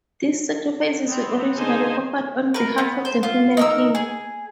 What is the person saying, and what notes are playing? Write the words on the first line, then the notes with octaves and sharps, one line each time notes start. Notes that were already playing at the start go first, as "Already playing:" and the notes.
These sacrifices were originally offered on behalf of the human king.
B3 C4
D3 D#4 G#4 C5 G#5
A#4 B4
B3
C5
F4
D#4 A#4 E6
G#4